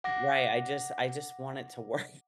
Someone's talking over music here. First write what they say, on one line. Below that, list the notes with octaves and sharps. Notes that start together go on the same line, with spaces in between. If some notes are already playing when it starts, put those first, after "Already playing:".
Right, I just I just want it to work,
F#5 D6 A#6